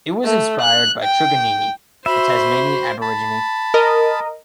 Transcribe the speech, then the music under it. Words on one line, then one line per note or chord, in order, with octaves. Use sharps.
It was inspired by Truganini, a Tasmanian Aborigine.
A3
F#6
G5
F#4 C5 E5 B5
A5 B5
A#4 D#5